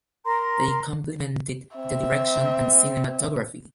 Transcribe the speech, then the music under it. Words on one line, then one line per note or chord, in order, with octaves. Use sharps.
They complimented the direction and cinematography.
A#4 A#5 C6
C4 E5